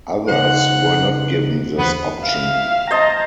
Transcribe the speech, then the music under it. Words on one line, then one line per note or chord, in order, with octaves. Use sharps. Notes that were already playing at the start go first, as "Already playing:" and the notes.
Others were not given this option.
C#3 D#4 C5 F#5
E2 D3 B3 C5 B5
E5 F5
C5 D#5 A5 A#5